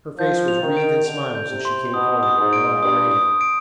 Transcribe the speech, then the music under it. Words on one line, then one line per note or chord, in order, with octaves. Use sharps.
Her face was wreathed in smiles as she came forward and held out her hand.
F3 G6
F7
D#3
D7
D3 F7
G6
C3
C6
B2 D#6
D#6
G#2
D7
G2 D#6
D#6
D7